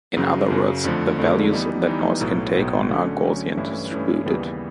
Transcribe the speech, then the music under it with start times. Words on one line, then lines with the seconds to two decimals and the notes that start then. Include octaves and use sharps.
In other words, the values that the noise can take on are Gaussian-distributed.
0.17 F#2 C#3 F#3
0.51 F#2 C#3 F#3
0.84 F2 D3 F3 A3
1.18 F2 D3 F3 A3
1.53 E3 G3 B3 D#4
1.86 E3 G3 B3 D#4
2.21 B1 A2 F#3 B3
2.55 B1 A2 F#3 B3
2.89 D3 F#3 A3 C#4
3.23 D3 F#3 A3 C#4
3.57 G2 E3 A3 C#4 E4
3.92 G2 E3 A3 C#4 E4
4.26 D#2 C#3 E3 G3 B3